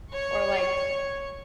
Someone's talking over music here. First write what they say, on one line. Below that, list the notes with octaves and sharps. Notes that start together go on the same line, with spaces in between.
or, like,
C#5 C#6